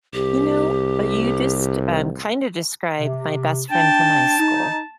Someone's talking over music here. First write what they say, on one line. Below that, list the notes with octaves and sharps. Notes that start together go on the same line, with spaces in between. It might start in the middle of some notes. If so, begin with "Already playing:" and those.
You know, uh you just, um, kinda described my best friend from high school.
C2 G4
C3
D4 G5 A5
D#4